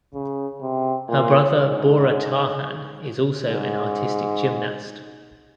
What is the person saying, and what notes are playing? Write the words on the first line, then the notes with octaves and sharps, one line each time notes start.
Her brother Bora Tarhan is also an artistic gymnast.
C#3
C3
A#2
G#2
G#2